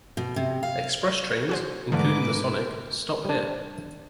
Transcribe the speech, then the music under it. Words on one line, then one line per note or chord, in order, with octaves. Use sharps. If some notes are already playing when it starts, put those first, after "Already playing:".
Express trains, including the Sonic, stop here.
B2
C3
F5
F#4 G#4 C5
G#2 D3 E3 A3 B4 D6
G3 D4